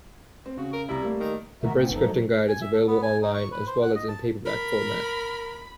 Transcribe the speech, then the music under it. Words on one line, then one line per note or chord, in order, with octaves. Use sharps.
The Bridge scripting guide is available online as well as in paperback format.
C4
C#3 F#4
A#4
C2 G3 E4 A#5
G3 A3 A#3
D#3
B2 D#3 A#3 F#4 A#4 E5
A2 C#3 E3 B3 C4
G1 F#2 F3 B3 D#4 A4
F#3
G#5
E5
A4
B3
G#5
D#4
C#6
B4
C5
F#5
D#5
A5
A#4 B5